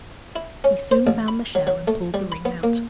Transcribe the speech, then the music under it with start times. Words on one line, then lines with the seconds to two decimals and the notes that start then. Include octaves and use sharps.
He soon found the shell, and pulled the ring out.
0.36 E4
0.64 C#4
0.91 C5
1.07 A1
1.28 B5
1.55 F#3
1.67 F#3
1.88 A3
2.14 G3
2.32 B5
2.45 B3
2.63 A#3